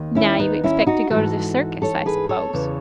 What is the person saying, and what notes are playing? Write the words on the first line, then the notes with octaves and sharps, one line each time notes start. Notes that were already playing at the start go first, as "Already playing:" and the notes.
"Now you expect to go to the circus, I suppose."
Already playing: D#2 D#3
C#4 E4
B3 D#4
C#4 E4
D#4 F#4
G#2 E3 F#4 A4
A4 C#5
G#4 B4
A4 C#5
E2 C#3 E3